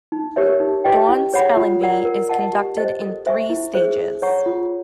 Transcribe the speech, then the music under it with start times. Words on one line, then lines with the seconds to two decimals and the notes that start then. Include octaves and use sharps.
Dawn Spelling Bee is conducted in three stages.
0.12 D#4
0.36 G4 A#4 C#5 E5
0.60 D#4
0.84 G4 B4 D#5 G5
1.08 E4
1.33 G#4 C#5 F#5 B5
1.56 F4
1.81 A#4 D5 F#5 A#5
2.05 A#4
2.29 D#5 F#5 A5
2.53 G4
2.78 C5 D#5
3.02 A4
3.26 C5 E5 G#5 C#6
3.50 E4
3.74 G#4 C5 E5
3.98 A4
4.22 C#5 F#5 A#5 C#6
4.46 F4